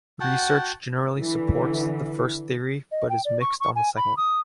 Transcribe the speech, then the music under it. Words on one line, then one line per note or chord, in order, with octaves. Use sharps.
Research generally supports the first theory but is mixed on the second.
F#4 F#5 G5 A5
D3 E3
D#5
G5
D5
C#6
C#6
G#5
B5
D#6